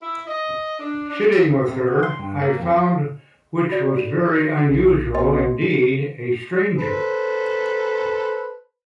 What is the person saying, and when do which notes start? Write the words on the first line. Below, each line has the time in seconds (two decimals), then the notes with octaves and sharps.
Sitting with her, I found — which was very unusual indeed — a stranger.
0.01 E4
0.27 D#5
0.79 D4
1.10 D4
1.69 C3
1.87 F#4
2.03 C6
2.19 G2
2.42 A#3
2.59 F2
3.69 F#4 D5
4.69 B1
5.15 B2 D#5 C6
6.78 A4 B4 C5